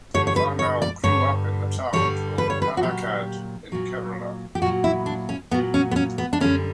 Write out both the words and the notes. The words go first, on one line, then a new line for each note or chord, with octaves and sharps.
Vimal grew up in the town called Palakkad in Kerala.
G2 D3 G3 C#5
C#5
B4
C#5
D5
G2 D3 G3 C#5
G2 D3 G3 C#5
B4
C#5
B4
F#4
A#2 F#3 G4
A#2 F#3
G4
A#2 F#3 F#4
E4
D4
C#4
A#2 F#3 B3
C#4
B3
C#4
B3
D4
F#2 D3 G3 C#4